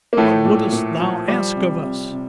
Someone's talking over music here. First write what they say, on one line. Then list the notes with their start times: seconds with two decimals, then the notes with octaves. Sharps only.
'What wouldst thou ask of us?
0.13 A#3
0.17 A2 F3 A3
0.45 A#2
0.72 A#2
1.00 F3
1.28 F3 G3
1.56 C3
1.84 C3
2.12 C3